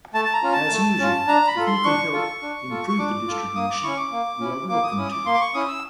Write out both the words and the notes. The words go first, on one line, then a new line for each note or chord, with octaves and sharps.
As usual, if you can help improve the distribution, you are welcome to.
A3 A5
A5
A#5
C#4 F4
A5
A3
C#4 F4
D4 A#5
B5
F4 A4
C6
D4 C#6
F4 A4
D4
F4 A4
C#6
D4 D6
F4 A4
A#3 D#6
D6
C#4 E4 C#6
D6
A#3
C#4 E4
A#3 D6
D#6
D6
C#4 E4 D#6
D6
A#3 C6
D6
C#6
C#4 E4 D#6
E6